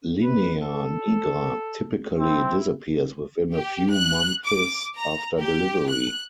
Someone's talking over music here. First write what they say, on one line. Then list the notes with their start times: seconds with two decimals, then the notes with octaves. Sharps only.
Linea nigra typically disappears within a few months after delivery.
0.24 B4
0.62 A4
2.19 C4 E4
3.54 G4
3.92 F#6
4.46 D6
4.97 A#5
5.40 G4
5.89 F#6